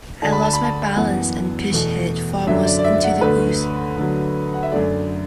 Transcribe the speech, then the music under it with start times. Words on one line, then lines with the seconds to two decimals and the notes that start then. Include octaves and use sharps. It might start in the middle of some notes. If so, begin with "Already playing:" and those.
I lost my balance and pitched head foremost into the ooze.
0.22 D2 D3 A3 D4 A5
0.32 B5
0.43 A5
0.53 B5
0.64 A5
0.96 F#2 E3 B3 F#5
1.72 E2 B2 A3
2.47 F#2 D3 F#3 D4 E5
2.65 D5
2.79 D5
2.84 E5
3.03 F#5
3.21 D2 D3 A3 B4
3.96 D2 D3 F#3
4.53 F#5
4.63 E5
4.71 F#2 D3 A3 D5